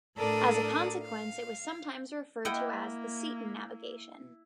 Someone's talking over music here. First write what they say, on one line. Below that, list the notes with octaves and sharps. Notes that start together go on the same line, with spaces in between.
As a consequence it was sometimes referred to as the Seaton Navigation.
A2 D4 A4 A#4 D5 D#6
F5
A#3 E4 D#5 F#5 G5